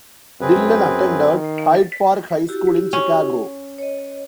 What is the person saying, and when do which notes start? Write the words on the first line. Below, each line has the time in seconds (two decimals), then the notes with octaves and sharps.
Dillon attended Hyde Park High School in Chicago.
0.41 F#2 C4 G#4 B4
1.34 D#3
2.49 E4 F#4 G4
2.93 C#4
3.78 C#5 D#5